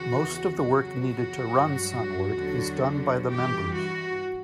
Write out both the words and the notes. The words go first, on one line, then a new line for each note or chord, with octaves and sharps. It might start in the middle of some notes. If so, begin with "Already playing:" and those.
Most of the work needed to run Sunward is done by the members.
Already playing: E2 C#3 E3 F#4
E2 C#3 F#3 F#4
G2 F#3
E2 D3 F#3
G2 E3 G4
F#4